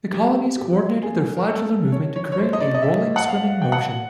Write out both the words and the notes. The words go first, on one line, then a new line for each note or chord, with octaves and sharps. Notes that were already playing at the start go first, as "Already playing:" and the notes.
The colonies co-ordinate their flagellar movement to create a rolling, swimming motion.
G4
G4
G#4
A#4
A4
C#5
C#5
C#5
C5
D#5
D5
D#5
E5
F#5
F5
G5
F#5